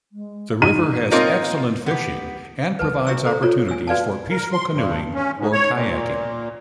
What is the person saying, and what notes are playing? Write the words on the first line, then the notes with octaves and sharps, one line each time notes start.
The river has excellent fishing and provides opportunities for peaceful canoeing or kayaking.
G#3
D#4 D#7
A#3 C4 F4 A#4 C#5 D#5
B3 G4
B4 A5
F#4 E5 A#5 C#6 E6
A4 C5 A#5
F4 A4 C#5 A#5
G#5 E6
F#4 B4 D5 F5 G#5 A5
A#4
C6
G2
C#4
G#2
C#5
A#2